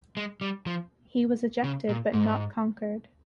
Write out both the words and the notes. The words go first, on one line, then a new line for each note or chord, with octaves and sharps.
He was ejected but not conquered.
G#3
G3
F3
C#3
A#2
G#2